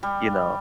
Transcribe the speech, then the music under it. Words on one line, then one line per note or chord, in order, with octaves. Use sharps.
you know?
G3